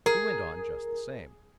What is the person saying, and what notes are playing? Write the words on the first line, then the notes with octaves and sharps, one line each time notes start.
He went on just the same.
G#4 A#4